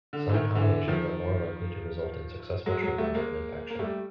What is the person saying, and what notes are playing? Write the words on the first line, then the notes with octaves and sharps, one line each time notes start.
Some combinations are more likely to result in successful treatment of an infection.
D3
E3
D#3
D3 E3
D#3 F3
F#3 G#3
F#3 G#3
G3 A3
G#3 A#3
A#3
G3 A3